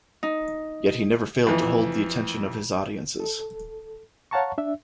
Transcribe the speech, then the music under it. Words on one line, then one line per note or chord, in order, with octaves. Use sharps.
Yet he never failed to hold the attention of his audiences.
D#4
F2 E3
A4
C#5 F5 F#5 A5 A#5 C#6
D4 E5